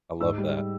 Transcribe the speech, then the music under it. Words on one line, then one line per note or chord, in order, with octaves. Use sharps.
I love that.
G#2 E6
G3